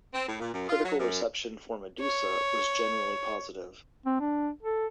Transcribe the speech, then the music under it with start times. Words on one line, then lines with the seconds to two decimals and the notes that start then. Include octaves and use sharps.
Critical reception for "Medusa" was generally positive.
0.14 C4
0.28 A2
0.40 A#2
0.53 F#2
0.68 F4
0.84 F#3
0.99 F#2
2.01 C#5
4.06 C4
4.21 D4
4.63 A4